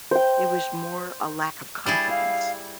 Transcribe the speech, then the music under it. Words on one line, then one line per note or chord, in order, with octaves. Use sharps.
It was more a lack of confidence.
C5 G5
G3 E4 G#4 A6
F5